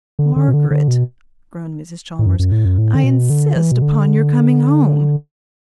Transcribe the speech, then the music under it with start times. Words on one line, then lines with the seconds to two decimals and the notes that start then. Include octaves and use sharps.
"Margaret," groaned Mrs. Chalmers, "I insist upon your coming home."
0.19 D3
0.36 D3
0.48 B2
0.54 D3
0.71 D3
0.88 B2
2.19 A2
2.26 F#2
2.39 F#2
2.52 A2
2.65 F#2
2.78 A2
2.95 D3
3.04 B2
3.30 D3
3.56 E3
3.72 B2
3.82 D3